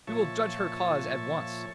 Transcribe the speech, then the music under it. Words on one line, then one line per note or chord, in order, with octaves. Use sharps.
'We will judge her cause at once.'
A#2 F3 C#5 E5 A5 C#6